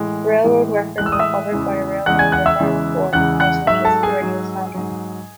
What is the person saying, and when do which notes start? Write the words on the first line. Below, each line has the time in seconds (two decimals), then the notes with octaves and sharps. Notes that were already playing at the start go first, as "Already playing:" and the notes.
Railroad workers were covered by the Railroad Retirement Board before Social Security was founded.
Already playing: A2 E3 G#3
0.44 A2 E3 G#3
0.98 A2 E3 G#3 F#6
1.06 E6
1.12 D#6
1.19 E5 E6
1.52 E2 C#3 E3 G#3
2.06 E2 C#3 E3 G#3 F#5 F#6
2.19 G#5 G#6
2.32 F#5 F#6
2.46 E5 E6
2.59 E2 C#3 E3 G#3
3.13 E2 C#3 E3 G#3 F#5 F#6
3.40 F#5 F#6
3.67 G#2 F#3 E5 E6
3.85 A4 A5
4.03 G#4 G#5
4.21 G#2 F#3
4.74 G#2 F#3